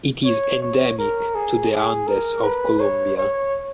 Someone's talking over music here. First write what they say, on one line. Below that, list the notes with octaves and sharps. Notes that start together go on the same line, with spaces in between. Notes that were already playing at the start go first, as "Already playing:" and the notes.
It is endemic to the Andes of Colombia.
C#5
C#5
A#4
G#4
G#4
A#4
B4
C#5
C#5